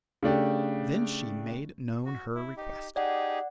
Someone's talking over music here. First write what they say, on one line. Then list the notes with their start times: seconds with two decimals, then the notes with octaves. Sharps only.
Then she made known her request.
0.23 C#3 A3 D4 G4
2.05 F#4
2.35 E4
2.57 D#4 G4
2.96 D#4 G4 G#4 D5 F#5